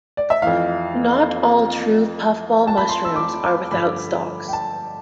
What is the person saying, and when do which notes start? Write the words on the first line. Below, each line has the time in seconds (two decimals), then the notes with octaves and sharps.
Not all true puffball mushrooms are without stalks.
0.17 D5
0.30 E5
0.42 F2 E3 F5
2.67 A5
2.77 B5
2.89 C6
3.05 E6
3.16 D6
3.43 D6
3.71 G2 D3 F3 B5
4.48 G5
4.53 A5